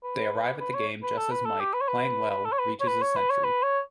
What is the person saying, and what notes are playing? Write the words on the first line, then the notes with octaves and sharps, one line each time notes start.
They arrive at the game just as Mike, playing well, reaches his century.
B4
B4
C#5
B4
A4
B4
A4
G4
B4
C#5
B4
B4
A4
C#5
B4
C#5
B4
C#5
B4
C#5
B4
C#5